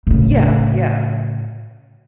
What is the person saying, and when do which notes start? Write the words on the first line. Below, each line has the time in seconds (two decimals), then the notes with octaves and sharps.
Yeah, yeah.
0.07 A2 C#3